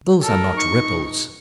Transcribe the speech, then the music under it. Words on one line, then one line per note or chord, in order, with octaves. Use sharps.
Those are not ripples.
A4 A#4
D#4 C#6